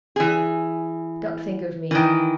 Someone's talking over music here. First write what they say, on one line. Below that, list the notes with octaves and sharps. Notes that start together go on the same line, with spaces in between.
Don't think of me.
E3 G#4
D#3 E3